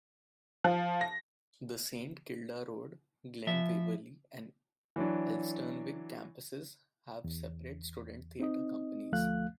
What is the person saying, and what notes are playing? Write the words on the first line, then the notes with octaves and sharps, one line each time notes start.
The Saint Kilda Road, Glen Waverley and Elsternwick campuses have separate student theatre companies.
F3
A#6
F3 E5
E3 F#3 D4
E2
C4 D#4 D#5
D2 F3 A3 F5 F#6